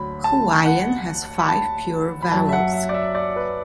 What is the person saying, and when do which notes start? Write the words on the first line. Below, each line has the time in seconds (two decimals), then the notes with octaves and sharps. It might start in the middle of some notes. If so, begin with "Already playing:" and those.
Hawaiian has five pure vowels.
Already playing: D2 D3 F#3 B5
0.24 A5
0.65 F#5
1.39 B5
1.49 A5
2.22 B5
2.32 F#2 F#3 A5
2.49 E5
2.53 F#5
2.73 E5
2.89 D5
2.94 E5
3.15 D5
3.36 B4